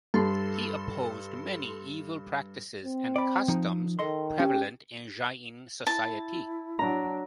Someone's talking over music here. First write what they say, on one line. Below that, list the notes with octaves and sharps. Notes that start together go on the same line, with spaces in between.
He opposed many evil practices and customs prevalent in Jain society.
G2 A4 C6
C4
D5 B5
F3 D#4
D#3 A4 D#5 C6
C#4 G4
E4 A5
F#3 D4 A#5